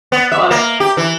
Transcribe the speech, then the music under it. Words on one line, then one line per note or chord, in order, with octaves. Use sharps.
I love it.
B3
E5
A#3
G4
E3